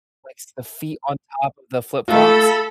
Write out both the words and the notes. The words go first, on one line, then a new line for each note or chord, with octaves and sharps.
like, the feet on top of the flip flops?
A3 F4 A4 B5